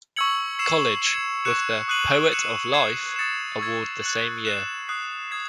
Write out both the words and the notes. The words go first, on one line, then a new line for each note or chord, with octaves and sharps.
College with the "Poet of Life" award the same year.
C#6 E6 G#6 C#7 F#7
E6 C7 E7
G#6 C#7 E7
C#6 F#6 C#7 E7
D#6 F#6 C7 D#7 F#7
F#6 C#7 E7
G#6 C7 E7
D#6 A6 C#7 E7
C#6 E6 G#6
F#6 C#7 F#7
F#6 C7 E7
D#6 F#6 C7
D#6 G#6 C7